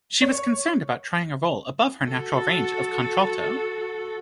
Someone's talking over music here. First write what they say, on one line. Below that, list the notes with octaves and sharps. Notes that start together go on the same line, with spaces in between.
She was concerned about trying a role above her natural range of contralto.
C#5
F#4 A4